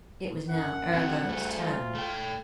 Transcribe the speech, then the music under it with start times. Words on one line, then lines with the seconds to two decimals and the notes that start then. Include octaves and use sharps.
It was now Arago's turn.
0.50 F#2 F#5
0.93 D#3 C4 F#4
1.25 D2 G3 A3
1.59 F4
1.95 A3 G5